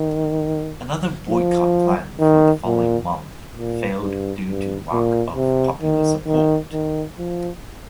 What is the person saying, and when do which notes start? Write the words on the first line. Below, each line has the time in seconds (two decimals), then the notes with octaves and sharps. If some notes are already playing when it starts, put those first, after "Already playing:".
Another boycott planned for the following month failed due to lack of popular support.
Already playing: D#3
1.30 F3
2.20 D#3
2.66 A#2
3.55 A#2
4.01 G2
4.47 G2
4.92 A#2
5.36 C3
5.82 D#3
6.27 D#3
6.73 D#3
7.18 F3